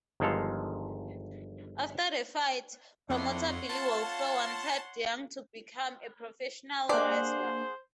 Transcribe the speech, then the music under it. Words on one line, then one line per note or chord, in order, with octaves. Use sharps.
After the fight, promoter Billy Wolfe wanted Young to become a professional wrestler.
G1 D#3 F3 G#3 A4 F5
F2 C4 D4 E4 C#5 F#5 C6
F4 F5 A5
A#3 D4 G4 G#4 C5 D5 F#5